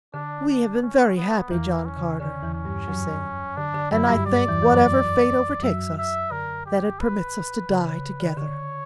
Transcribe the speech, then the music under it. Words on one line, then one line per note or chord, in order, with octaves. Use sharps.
"We have been very happy, John Carter," she said, "and I thank whatever fate overtakes us that it permits us to die together."
D3 D4
D4
C#4
B3
E2 E3 A#3
C#4
C#3
D3 C#4
E2 E3
C#4
G2 G3
F#2 F#3
D3 D4
D3
F#2 F#3 E4
G2 G3
G2 G3 D5
E2 E3
E3
F#2 F#3
F#2 F#3 E5
E5
D3 A#4
G4
B4
C#3
C#3
D3
D3 C#5